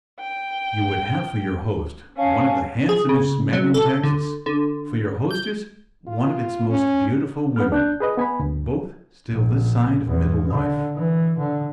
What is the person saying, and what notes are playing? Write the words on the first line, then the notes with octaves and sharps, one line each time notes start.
You would have for your host one of the handsomest men in Texas; for your hostess one of its most beautiful women--both still this side of middle life.
G5
C#4 F5 G#5 A5
G#4
C#3
F#3
A4
D3
D3
G6
F4
C#4
B3 F6
D4 F#6 G6
G#4 B4 D#5
B3 G#5 B5
D2
A#1
E2
D3
E3
D3